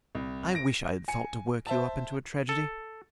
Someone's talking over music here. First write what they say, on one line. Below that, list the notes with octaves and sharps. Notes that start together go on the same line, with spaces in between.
"I wish I had thought to work you up into a tragedy."
C2
A#6 D7
G#5 C#7
C5 E5 A5
A4